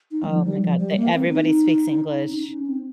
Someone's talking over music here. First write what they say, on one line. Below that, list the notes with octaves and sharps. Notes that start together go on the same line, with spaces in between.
Oh my god. Th everybody speaks English.
D#4
G3
F3
G3
F3
G3
A#3
C4
C#4
D#4
C#4
D#4
C#4
C4